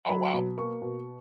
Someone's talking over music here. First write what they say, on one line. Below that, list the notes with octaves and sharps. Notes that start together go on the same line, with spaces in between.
Oh, wow.
F#3 B5
B2
A#3 C#6
B2